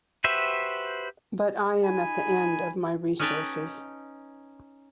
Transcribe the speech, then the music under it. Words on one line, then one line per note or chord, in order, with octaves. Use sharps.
But I am at the end of my resources.
F#4 G4 B4 C5 E5
D#4 G#5 B5
C#4 D#4 B4 C#5 G5 A5